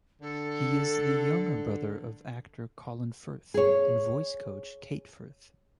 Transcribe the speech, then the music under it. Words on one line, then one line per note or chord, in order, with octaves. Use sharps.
He is the younger brother of actor Colin Firth and voice coach Kate Firth.
D3 A4
G#4 C#5